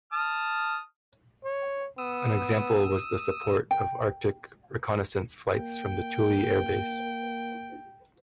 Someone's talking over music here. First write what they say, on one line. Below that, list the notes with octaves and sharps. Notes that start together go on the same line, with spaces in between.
An example was the support of Arctic reconnaissance flights from Thule Air Base.
A5 D#6 F6
C#5
B3 D#6 E6
G5
A#3 G5